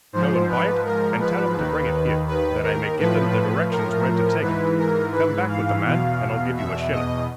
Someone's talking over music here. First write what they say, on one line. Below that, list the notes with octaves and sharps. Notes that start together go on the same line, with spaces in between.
Go and buy it, and tell 'em to bring it here, that I may give them the directions where to take it. Come back with the man, and I'll give you a shilling.
G#2 F3 C5
B4
A#4
B4
D#2 D#3
B4
A#4
A2 F3 B4
A#4
G#2 E3 B4
A#4
B4
F5
E2 B2 F5
E5
D#5